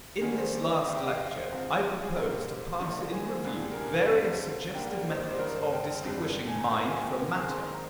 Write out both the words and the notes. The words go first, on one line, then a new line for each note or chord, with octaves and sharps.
In this last lecture I propose to pass in review various suggested methods of distinguishing mind from matter.
G#2 D#3 G3 D4 G#4
C5
D5
D#5
D2 D3 G3 C4 D#5
G5
F5
D#5
C5
G#2 F3 C4
G#4
A#1 A#2 G#3 C4 A#4
G4
A#1 G#2 D#3 A#3 D4
G#4
C5
G2 D3 G#3 D4 G#4
G4
A#4
G#4
F5
D2 D3 G3 C4
G#2 G3 A#3 D4 G5
C5
D#5
D5
C5
G2 D#3 G#3 A#4
C5
G5
G1 F2 D3 G#3 D4
G#5
A#5
G#2 F3 A#3 A#5
G#5
G5
G5
G#2 D#3 G#3 C4 G#5
C6
A#5